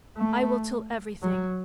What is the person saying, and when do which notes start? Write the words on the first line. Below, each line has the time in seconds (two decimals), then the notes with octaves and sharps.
I will tell everything!
0.18 A3
1.22 F#3